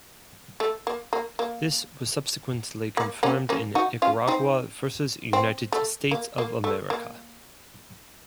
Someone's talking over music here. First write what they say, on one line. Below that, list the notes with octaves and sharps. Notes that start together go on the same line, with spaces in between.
This was subsequently confirmed in "Nicaragua versus United States of America".
A3
A#3
A#3
A#3
A#3
A#3 C#4
A#3 C#4
D#4 F#4
C#4 F4
C4 D#4
C4
A3
A#3
A#3
A3
A#3